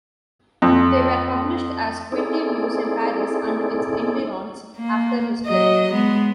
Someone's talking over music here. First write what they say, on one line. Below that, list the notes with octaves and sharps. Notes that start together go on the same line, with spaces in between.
They were published as "Twenty Views in Paris and its Environs" after his death.
F2
C4 D#4 E4 G#4 A4 D5
A#3
F#3 D#5
G#3 B3